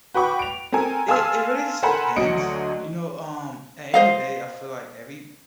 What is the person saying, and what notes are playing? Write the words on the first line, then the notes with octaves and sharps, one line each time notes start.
it it really just depends. You know? Um, at end of day, I feel like every
F#4 B4 G5 B5 C#6 D6
D7 F7
C4 A4 A#4 G#5
F5 G#5 A5 C6 E6 F6
A4 A#4 C5 F#5 G#5 B5
D2 D3 F#3 D#5 C#7 D7
C5 D#5 F5